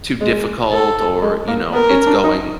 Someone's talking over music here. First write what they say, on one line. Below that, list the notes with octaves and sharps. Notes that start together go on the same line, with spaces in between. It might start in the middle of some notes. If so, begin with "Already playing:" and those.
too difficult or, you know, it's going
G#3
A4
G#3
A#3
B3 A#4
C#4
D4
D#4